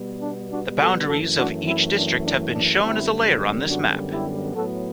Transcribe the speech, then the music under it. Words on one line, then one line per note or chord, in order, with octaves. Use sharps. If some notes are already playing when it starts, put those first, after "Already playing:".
The boundaries of each district have been shown as a layer on this map.
Already playing: B2 G3 B3
D4
D4 F#4
F#4 A4
F#2 E3 A3 F#4 A4
D4 F#4
C4 E4
D4
D4
D4
F#2 D3 G3 B3 C4 E4
D4 F#4
E4 G4
A2 F#3 B3 F#4 A4